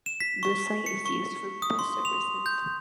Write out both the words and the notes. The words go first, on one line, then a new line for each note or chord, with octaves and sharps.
The site is used for bus services.
E7
B6
C#6
C#7
C#6
D#6
C6
F7
G6